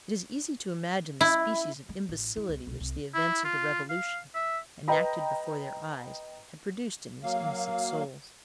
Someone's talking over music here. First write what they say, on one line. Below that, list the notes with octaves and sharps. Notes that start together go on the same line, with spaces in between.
It is easy to imagine the species of imbecility which the events of the Revolution, enacted before their eyes, had produced in these innocent souls.
E4
G#3
A1
E4
C#2
B1
C2
E4
F4
F5
E5
B4 D#5 G5 A#5 B5
F#3 A#3 F5